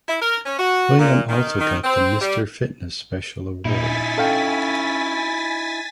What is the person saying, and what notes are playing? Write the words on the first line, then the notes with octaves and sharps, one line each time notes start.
William also got the Mister Fitness special award.
E4
A#4
C#4
F#4
A#2
D#3
D#3
C4
G3
A#2 D#4 E4 G#5 A6 B6
C#4 A4 F5 G5